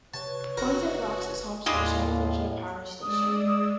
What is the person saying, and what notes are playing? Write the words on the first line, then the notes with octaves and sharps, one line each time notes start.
Point of Rocks is home to the Jim Bridger Power Station.
C3 B4 C#5 A5 C#6
F#1 F#4 A#4
D#2 A2 G3 G#3 F4
G#3 D5 D#6 E6